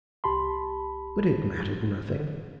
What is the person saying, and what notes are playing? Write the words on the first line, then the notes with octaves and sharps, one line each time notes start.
But it mattered nothing.
C2 G4 A5 B5 C6